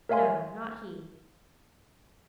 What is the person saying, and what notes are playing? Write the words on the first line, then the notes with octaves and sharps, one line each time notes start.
No, not he.
A#4 C#5 E5 F5 G#5 C6